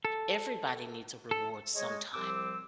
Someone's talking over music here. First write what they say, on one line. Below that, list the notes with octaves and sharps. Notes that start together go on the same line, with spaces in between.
everybody needs a reward sometime,
A4
A4
G#3 C#5 D#5
C2 F3 G3 C4 D6 E6